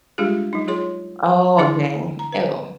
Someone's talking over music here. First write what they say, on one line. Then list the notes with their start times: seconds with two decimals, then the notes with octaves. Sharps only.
Oh, okay. Ew.
0.18 G3 G#3 D4 F4 G4 G#4
0.53 F#3 D#4
0.68 F4 G#4 C#5 C6
1.58 D3 D4 E4 G#4 D5 C6
2.19 A#5
2.32 B4